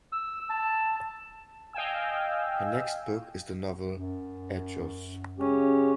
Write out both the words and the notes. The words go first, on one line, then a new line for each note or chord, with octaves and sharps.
Her next book is the novel "Hechos".
E6
A5
D#5 F5 G5 G#5 E6
F#2
C#3 G#3 C#4 G4